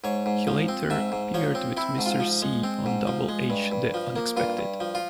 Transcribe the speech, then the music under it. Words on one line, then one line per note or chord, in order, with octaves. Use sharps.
He later appeared with Mr. Cee on "Double H: The Unexpected".
G#2 C#5
G#2
F3
C4
G#2 E5
G#2
F3 C#5
C4
C4 E4
G#2
F4
F3
G#3
C4
G#2
F3
G#3
G2
G2
F3
A#3
G2 F4
G2
F3
F4